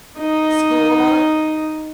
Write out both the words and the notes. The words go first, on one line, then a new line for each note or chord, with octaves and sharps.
school and all that
D#4 D#5